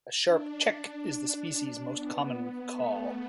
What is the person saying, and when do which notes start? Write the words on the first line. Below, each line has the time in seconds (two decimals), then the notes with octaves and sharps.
A sharp "chek" is the species' most common call.
0.24 D4
1.91 B3
2.74 A3